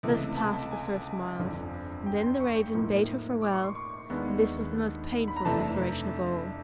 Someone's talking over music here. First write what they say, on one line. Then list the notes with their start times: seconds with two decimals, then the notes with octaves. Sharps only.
Thus passed the first miles; and then the Raven bade her farewell, and this was the most painful separation of all.
0.03 C#2 C3 E3 A3
0.37 A5
0.71 G#5
1.39 G1 F2 D3 F3
2.06 G5
2.23 C6
2.40 C#6
2.74 A2 F3 A#3 D#4
3.42 D6
3.53 C#6
3.64 C6
3.75 C#6
4.10 D#2 D#3 G#3 B3 D4
5.28 B5
5.36 A#5
5.45 F2 C3 E3 A3 D4 A5